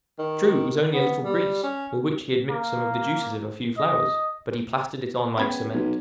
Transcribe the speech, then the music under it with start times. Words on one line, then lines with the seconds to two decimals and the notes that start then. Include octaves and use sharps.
True, it was only a little grease, with which he had mixed some of the juices of a few flowers, but he plastered it on like cement!
0.18 D#3
0.94 B3
1.23 G3
1.63 C#4
2.50 A#3
3.77 D#5
5.38 G#3 B3 C#4 G5 B5 G#6
5.74 B1